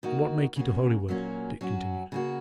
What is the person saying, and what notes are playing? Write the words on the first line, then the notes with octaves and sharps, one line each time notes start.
"And what make ye to Holywood?" Dick continued.
D#3 A#3 D#4 F#4
C#3 A#3 C#4 F#4
A#2 F#3 A#3 C#4 F#4
F#3 C#4 F#4
C#3 A#3 F#4